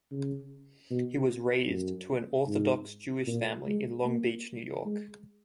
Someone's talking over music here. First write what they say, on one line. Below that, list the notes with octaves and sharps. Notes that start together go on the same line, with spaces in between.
He was raised to an Orthodox Jewish family in Long Beach, New York.
C#3
B2
F#2
G#2
A#2
G#3
A#3
G#3